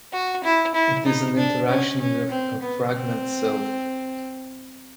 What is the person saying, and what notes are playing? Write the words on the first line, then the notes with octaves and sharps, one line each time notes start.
It is an interaction with a fragment self.
F#4
E4
E4
D#4
D4
C#4
C#4
C4
B3
C4